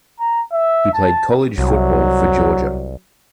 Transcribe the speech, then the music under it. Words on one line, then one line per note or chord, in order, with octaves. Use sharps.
He played college football for Georgia.
A#5
E5
A5
C2 F#3